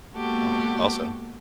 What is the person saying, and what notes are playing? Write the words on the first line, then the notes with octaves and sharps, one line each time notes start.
Oh, also
G#3 A#3 B3 F#4 G4 A4